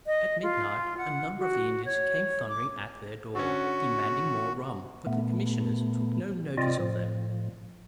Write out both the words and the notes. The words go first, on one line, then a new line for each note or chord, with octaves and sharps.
At midnight, a number of the Indians came thundering at their door, demanding more rum; but the commissioners took no notice of them.
D#5
F4
F#5
F#4
C#5
D6
D3 C#4 F#4
A#2 A3 B3
C3 C4 F4 D5 D#5
A2 F3